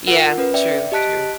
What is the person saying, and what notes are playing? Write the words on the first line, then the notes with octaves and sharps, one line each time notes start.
Yeah. True, true.
F4 A#4 F#5
C#4 B4
D5 E5 G5
G4 D#5 A5 F#6 B6 D7